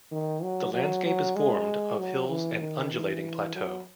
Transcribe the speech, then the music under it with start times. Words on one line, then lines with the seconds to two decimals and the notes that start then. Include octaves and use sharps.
The landscape is formed of hills and undulating plateau.
0.12 D#3
0.43 F#3
0.74 F#3
1.06 F#3
1.36 G#3
1.99 F#3
2.29 E3
2.61 D#3
2.92 E3
3.55 F#3